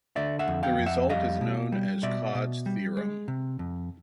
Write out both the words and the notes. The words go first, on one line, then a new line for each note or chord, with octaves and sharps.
This result is known as Codd's theorem.
D3 D5 E5
E5 F#5
F2
F5 G5
F2
E5 F#5
G3 D#5 F5
B2
G3
B2 D5 E5
B2
G3
G#3
C3
F2